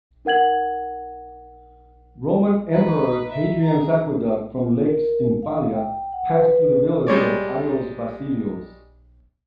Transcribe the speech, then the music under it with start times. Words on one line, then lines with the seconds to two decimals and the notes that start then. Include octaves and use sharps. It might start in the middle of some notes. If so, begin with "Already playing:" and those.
Roman emperor Hadrian's aqueduct from Lake Stymfalia passed through the village of Ayios Vasilios.
0.25 D#4 A#4 F#5 G#6 F#7
2.69 D#4 B4
3.31 E5
3.61 G#4 A#5
4.60 F4
4.80 A#4
5.42 F5
5.73 G5
6.13 F#5
6.29 B4
7.07 G3 G#3 C#5 D5